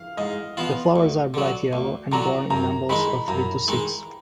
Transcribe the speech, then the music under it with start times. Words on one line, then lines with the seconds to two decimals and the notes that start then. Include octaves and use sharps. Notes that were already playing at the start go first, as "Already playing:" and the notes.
The flowers are bright yellow and borne in umbels of three to six.
Already playing: F5
0.17 G#2 D#5
0.57 F3 B3 F4
0.96 D2
1.34 D3 F#3
1.73 D2
2.12 D3 F#3 A#5
2.51 F#2 A#5
2.89 D#3 G#3 D#4 B5
3.28 F#2 A#5
3.68 D#3 G#3 D#4